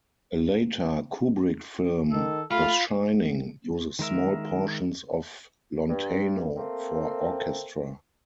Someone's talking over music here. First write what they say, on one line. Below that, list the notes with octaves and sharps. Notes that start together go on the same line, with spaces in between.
A later Kubrick film, "The Shining", uses small portions of "Lontano" for orchestra.
D#3 A4
A3 F4 F5 B5
D#3 G#3 A#4 E5
G2
A3 A#3 C4